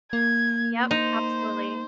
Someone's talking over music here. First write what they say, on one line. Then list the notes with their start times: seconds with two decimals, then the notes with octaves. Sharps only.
Yep, absolutely.
0.13 A#3 G#6
0.91 D#4 C5